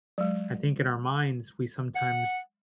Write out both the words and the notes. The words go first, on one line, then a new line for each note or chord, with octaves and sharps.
I think in our minds we sometimes
F#3 G#3
F#5